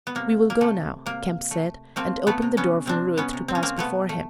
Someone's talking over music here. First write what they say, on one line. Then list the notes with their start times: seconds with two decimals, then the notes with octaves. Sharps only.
"We will go now," Kemp said, and opened the door for Ruth to pass before him.
0.07 B3
0.15 C3 A#3
0.50 A#3
0.61 C3 A3
1.06 C3 A#3
1.51 A3
1.96 A3 A#3 C4
2.27 A3 B3
2.42 C3
2.57 B3 C#4
2.86 C3 C4 D4
3.18 B3 C#4
3.33 C3
3.48 C4
3.55 C#4
3.63 A#3 C4
3.77 B2 A3 B3
4.09 A3